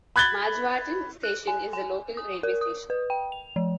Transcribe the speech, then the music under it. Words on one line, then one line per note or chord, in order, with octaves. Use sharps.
Majavatn Station is the local railway station.
B5 F#6 G#6 A6 G7
F#6
G#5
G#5
D#6
A#4
D#6
B4
G5
F7
F3